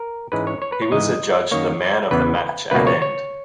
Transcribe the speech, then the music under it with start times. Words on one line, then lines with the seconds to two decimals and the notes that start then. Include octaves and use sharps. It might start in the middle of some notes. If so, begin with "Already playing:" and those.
He was adjudged the man of the match at end.
Already playing: A#4
0.32 G#2 E3 G#3 C#4 B4
0.47 C#5
0.62 C#5
0.72 B4
0.82 C#5
0.92 G#2 E3 G#3 D#5
1.51 F#2 D#3 A#3 C#5
2.11 E2 C#3 E3 B3 B4
2.71 C#2 B2 A#3 B4
2.87 C#5
3.02 C#5